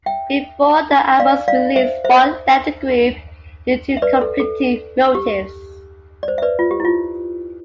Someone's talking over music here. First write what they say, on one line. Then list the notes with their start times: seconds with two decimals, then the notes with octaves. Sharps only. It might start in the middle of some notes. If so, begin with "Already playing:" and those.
Before the album's release, Spawn left the group due to conflicting motives.
0.06 E5 G5
1.19 D5 F5
1.48 D5 F5
1.76 C5 E5
2.04 C5 E5
3.97 E5
4.02 B4 D5
4.21 A4
4.40 A4
5.15 G4
6.23 D5
6.28 C5
6.38 E5
6.42 B4 D5
6.59 F4
6.71 G4
6.80 E4
6.85 F4